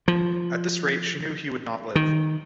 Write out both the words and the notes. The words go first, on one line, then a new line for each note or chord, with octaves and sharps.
At this rate she knew he would not live.
F3
D#3